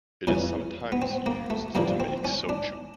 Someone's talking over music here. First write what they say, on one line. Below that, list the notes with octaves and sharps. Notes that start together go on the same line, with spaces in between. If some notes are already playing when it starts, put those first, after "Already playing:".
It is sometimes used to make shochu.
F2 C#3 E3 C#4
B3
C4
A#3
A3
G2 D3 F3 A#3
C4
C#4
D4